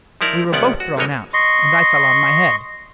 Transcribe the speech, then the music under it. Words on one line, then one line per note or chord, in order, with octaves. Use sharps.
We were both thrown out, and I fell on my head.
F3 D#4 E4 A#4 D5
C2 F3 B3 C#4 D5 F#5
F#4
G#1 D3 G3 G#3 C#5 D#5
D#5 C6 C#6